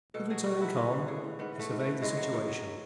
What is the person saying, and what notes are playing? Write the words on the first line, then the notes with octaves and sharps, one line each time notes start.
With returning calm, he surveyed the situation.
B2 A4
F#3 G#4
B2 F#4
F#3 E4
A2 C#4
E3
A2 G#4
E3
G#2 B3
E3 A3
G#2
A3
E3
A2 G#3
F#3
A2
F#3